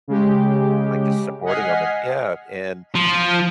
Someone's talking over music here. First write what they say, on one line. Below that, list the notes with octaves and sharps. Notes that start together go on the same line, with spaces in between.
like, just supporting him and yeah. And
C#3 G#3 G4
D#5 F#5 G#5 F6 B6 C7
F3